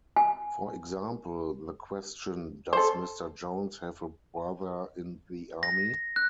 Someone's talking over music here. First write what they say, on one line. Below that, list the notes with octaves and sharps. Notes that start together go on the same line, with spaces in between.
For example, the question Does Mr. Jones have a brother in the army?
G#5
A4 C5
A#6
F#6